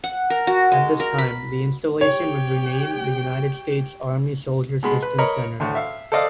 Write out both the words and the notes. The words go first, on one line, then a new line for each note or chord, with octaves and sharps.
At this time the installation was renamed the United States Army Soldier Systems Center.
F#5
A#4
F#4
G#3
A#4
B5
G4 C#5 G5
B2 G#3 B5
B4
A#4 C#5 D#5 A#5 B5
D2 A2
E5 F5
A4 C5 D5 D#5 F5